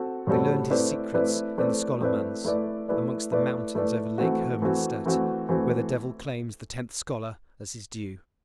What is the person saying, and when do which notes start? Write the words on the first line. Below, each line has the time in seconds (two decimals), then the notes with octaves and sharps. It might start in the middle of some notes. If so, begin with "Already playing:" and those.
They learned his secrets in the Scholomance, amongst the mountains over Lake Hermanstadt, where the devil claims the tenth scholar as his due.
Already playing: C4 F#4 A4
0.27 A2 G3 C4 F#4 A4
0.70 A3 C4 E4 B4 D5
1.14 A3 C4 E4 B4 D5
1.58 A3 C4 E4 B4 D5
2.01 A3 C4 E4 B4 D5
2.44 A3 E4 B4 D5
2.89 A3 E4 B4 D5
3.32 A3 E4 B4 D5
3.75 A3 E4 B4 D5
4.18 E3 A3 C4 F#4
4.62 E3 A3 C4 F#4
5.05 E3 A3 C4 F#4
5.49 E3 A3 C4 F#4